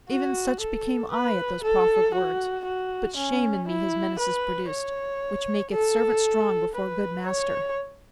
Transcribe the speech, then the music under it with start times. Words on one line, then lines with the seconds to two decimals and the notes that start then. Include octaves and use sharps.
Even such became I at those proffered words; But shame in me his menaces produced, Which maketh servant strong before good master.
0.10 F#4
0.60 A4
1.12 B4
1.63 A4
2.14 F#4
2.65 F#4
3.17 C#4
3.68 E4
4.19 B4
4.70 C#5
5.72 A4
6.75 B4
7.26 C#5